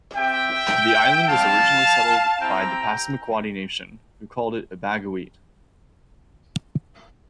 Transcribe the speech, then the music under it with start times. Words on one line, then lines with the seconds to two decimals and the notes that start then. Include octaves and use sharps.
The island was originally settled by the Passamaquoddy Nation, who called it Ebaghuit.
0.16 C4 G4 E5 G5
1.28 G3 C4 F4 F5 A5
2.40 C4 E4 G4 G5 A#5